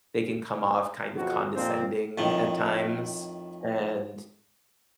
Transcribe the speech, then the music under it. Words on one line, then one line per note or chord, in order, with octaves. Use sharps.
they can come off kind of condescending at times, and
B1 F2 F#4
F2 A#2 C4
F2 A2 D#3